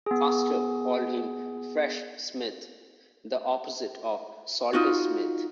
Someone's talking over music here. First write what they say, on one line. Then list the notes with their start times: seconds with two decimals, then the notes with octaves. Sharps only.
Custer called him "Fresh" Smith, the opposite of "Salty" Smith.
0.06 B3 G#4
4.73 D#4 F4 F#4